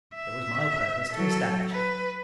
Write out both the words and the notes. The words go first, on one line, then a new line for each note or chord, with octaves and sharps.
It was my purpose to establish it.
E5
F#3 A4
B4